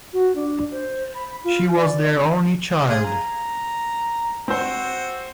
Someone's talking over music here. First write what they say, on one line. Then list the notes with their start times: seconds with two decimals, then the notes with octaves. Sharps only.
She was their only child.
0.13 F#4
0.35 D4
0.71 C5
1.15 B5
1.44 F4
1.76 D5
2.89 F4 G#4
3.04 A#5
4.48 C4 F#4 C5